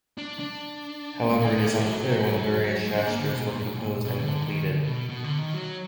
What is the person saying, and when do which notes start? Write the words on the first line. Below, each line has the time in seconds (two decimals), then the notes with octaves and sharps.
However, it is unclear when various Shastras were composed and completed.
0.18 D4
0.39 D4
1.30 G#3
1.40 A#3
1.51 B3
1.63 A#3
1.74 G#3
1.85 F#3
2.85 G#3
2.97 D4
3.07 A#3
3.19 D3
3.30 B2
3.45 A#2
3.60 F#2
3.75 A#2
4.04 B2
4.20 D3
4.42 D#3
4.65 D3
4.87 B2
5.09 B2
5.24 D3
5.38 D#3
5.54 F#3